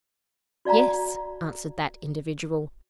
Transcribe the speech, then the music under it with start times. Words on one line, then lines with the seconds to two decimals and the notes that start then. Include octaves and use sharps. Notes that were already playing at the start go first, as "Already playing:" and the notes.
"Yes," answered that individual.
0.65 F#4 D5 F5 A5 A#5